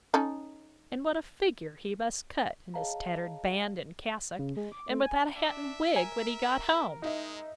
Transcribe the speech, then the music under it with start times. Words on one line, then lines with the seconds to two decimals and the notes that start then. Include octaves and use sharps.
And what a figure he must cut in his tattered band and cassock, and without a hat and wig, when he got home.
0.14 C#4 D#4 A4
2.74 G#4 C#5 D#5 F5 A5 A#5
4.39 C#3
4.57 G#3
4.72 D6
4.90 A3
5.04 G#5
5.36 D4 E5
5.96 A#4 G#5
7.02 G#3 D#4 E5